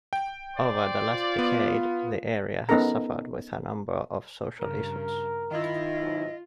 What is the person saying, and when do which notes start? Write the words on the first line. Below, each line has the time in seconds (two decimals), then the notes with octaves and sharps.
Over the last decade, the area has suffered with a number of social issues.
0.13 G5
0.56 C5 D5
1.06 F4
1.39 B3
2.69 B3 C#4 D#4 A4 A#4 A#5
4.61 G2 C#3 A#4
5.51 D#3 E4 F4 D#5
5.99 B1 G#2